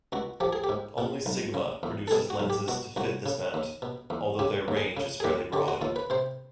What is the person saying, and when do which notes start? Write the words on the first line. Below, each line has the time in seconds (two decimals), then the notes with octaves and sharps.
Only Sigma produces lenses to fit this mount, although their range is fairly broad.
0.12 C#2 F#4
0.40 F3 G4
0.53 G#4
0.64 G4
0.69 G#2
0.98 A#2
1.26 B1
1.54 C#3
1.83 E2
2.08 A4
2.11 B2 G#4
2.30 F#4
2.40 B1
2.50 G4
2.68 B2 F#4
2.96 C2 F#4
3.26 C#3
3.54 D#2
3.82 B2
4.10 E2
4.39 C#3 G4
4.68 D#2
4.77 G#4
4.97 C#3
5.20 G#4
5.24 D#2 G4
5.53 D3 G4
5.68 F#4
5.82 D#2 F4
5.96 B4
6.10 C3 C5